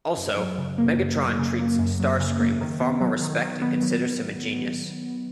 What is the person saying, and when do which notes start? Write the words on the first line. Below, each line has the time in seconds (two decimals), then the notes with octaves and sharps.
Also, Megatron treats Starscream with far more respect and considers him a genius.
0.17 F#2
0.37 F#3
0.58 C#3
0.78 A#3
0.99 F#2
1.18 F#3
1.39 C#3
1.59 A#3
1.79 F#2
2.00 F#3
2.20 C#3
2.40 A#3
2.61 D#3
2.81 B3
3.01 F#3
3.22 D#3
3.42 D#3
3.62 B3
3.82 F#3